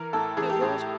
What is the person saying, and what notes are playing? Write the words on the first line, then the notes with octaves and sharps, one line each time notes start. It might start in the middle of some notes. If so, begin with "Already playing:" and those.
'Here goes!
Already playing: E3 A#4
A2 A4
E3 G#4
G4
A2 G#4